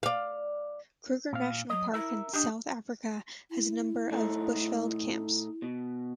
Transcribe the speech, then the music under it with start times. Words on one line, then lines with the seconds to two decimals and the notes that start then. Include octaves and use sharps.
Kruger National Park in South Africa has a number of 'Bushveld' camps.
0.03 D5 F5
1.33 A#2 F5
1.70 F#3 D#5
1.93 E4 A#4 E5
2.33 D4 G4 D#5
3.51 E4
4.11 A2 A3 D#4
5.62 B2